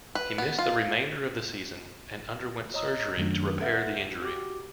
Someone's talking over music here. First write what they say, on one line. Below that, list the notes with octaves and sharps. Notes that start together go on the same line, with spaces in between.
He missed the remainder of the season and underwent surgery to repair the injury.
B4
B3
F4
C#5 D#5 A#5 D#6 E6
F#2 D#3 F#3 A3 C#4 D4
A4 B4 E5 F#5 F6 G6
F#4 G4 D6